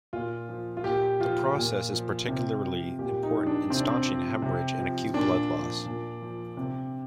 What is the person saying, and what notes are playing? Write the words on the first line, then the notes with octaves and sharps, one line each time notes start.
The process is particularly important in staunching hemorrhage and acute blood loss.
A#2 F4
F3
F4
A#2 G4
F3 F4
A#2
F3
C3
F3
A#2 G4
D#4
F3
D4
C3 C4
D4
C4
F3
C3
F3
A#2 D4
F3
A#2
F3
C3